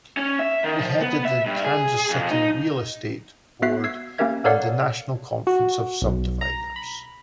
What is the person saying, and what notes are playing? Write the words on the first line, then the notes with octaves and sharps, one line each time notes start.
He headed the Kansas City Real Estate Board and the National Conference of Subdividers.
C#4
E5
D#3
F3
B3
E5
G2
G#4
F2
D#4
B3 F#4 E5 F#6 C7
E6 G#6 C7
A#3 C#4 G4 A#4 E5 G#6
A4 A#4 C#5 D5 F5 F#5
F#4
B1
A#5
B5